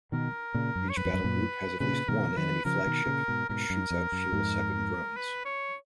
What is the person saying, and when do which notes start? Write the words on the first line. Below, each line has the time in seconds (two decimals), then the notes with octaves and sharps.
Each battlegroup has at least one enemy flagship, which shoots out fuel-sapping drones.
0.12 B2 D#3 A#4
0.54 A#2 C#3
0.75 F#2
0.90 C#5
0.97 F#2 B4
1.05 F2
1.14 F#2
1.24 F#2 A#2
1.80 A#2 C#3 B4
2.08 B2 D#3 A#4
2.36 D#3 F#3 B4
2.65 C#3 F3 A#4
2.86 B2 D#3
3.06 A#2 C#3
3.28 G#2 B2
3.49 G#2 B2 A#4
3.70 F#2
3.90 F2
4.12 F#2
4.32 F2 G#2
5.17 B4
5.45 C#5